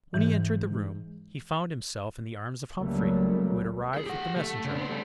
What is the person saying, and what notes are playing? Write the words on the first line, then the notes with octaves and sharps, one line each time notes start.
When he entered the room, he found himself in the arms of Humphrey, who had arrived with the messenger.
G#2 E3
C#2 C#3 F#3 G3 A3 A#3
G#4 A4
G4 F#5
A3
C#3 D4
B3 C5
G3 A3